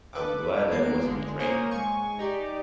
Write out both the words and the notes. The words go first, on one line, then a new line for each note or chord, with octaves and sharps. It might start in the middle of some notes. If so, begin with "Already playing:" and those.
I'm glad I wasn't trained.
A4 B4 D6
G#3 A#3 B3 C7 D7
G1 D3 G#3
A#3 C5 C#5 G#5 A#5 D#6
G#2 G#3 G#5 C#6
D#4 G4 D5